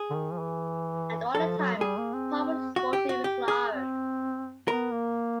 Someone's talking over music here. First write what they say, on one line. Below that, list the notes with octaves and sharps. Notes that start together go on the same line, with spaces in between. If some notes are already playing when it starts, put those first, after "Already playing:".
And all the time Paul was sporting with Clara.
Already playing: G#4
D3
D#3
F3
E3
F3 A4
F#3
G#3
G3 G#4
A#3
C4
F#4
G4
F#4
G4
G#4
C4
B3 A#4
A#3